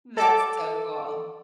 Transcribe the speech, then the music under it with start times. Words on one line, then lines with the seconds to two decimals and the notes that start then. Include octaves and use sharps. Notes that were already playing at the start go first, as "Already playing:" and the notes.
That's so cool.
0.17 A4 D6